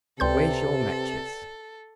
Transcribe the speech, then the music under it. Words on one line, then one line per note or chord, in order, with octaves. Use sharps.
Where's your matches?
C#2 C3 A4 B4 D5 G5 C6 G6